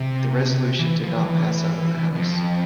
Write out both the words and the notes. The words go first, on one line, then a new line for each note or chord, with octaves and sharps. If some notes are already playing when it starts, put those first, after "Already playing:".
The resolution did not pass out of the House.
Already playing: C3
E3
F3
E3
E3
F2